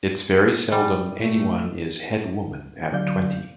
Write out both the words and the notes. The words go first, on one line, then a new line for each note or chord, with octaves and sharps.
It's very seldom anyone is head woman at twenty.
G3
A#2 A3
D3 F#3 D5 F5 G6